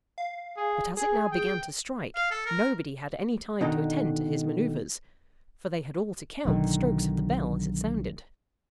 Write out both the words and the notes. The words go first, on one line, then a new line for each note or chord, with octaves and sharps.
But as it now began to strike, nobody had any time to attend to his manoeuvres, for they had all to count the strokes of the bell as it sounded.
F5
G#4
G#4 G#5
G5
F5
A4
A#4
B2 D3 D#3 D#4
B1 D3 D#3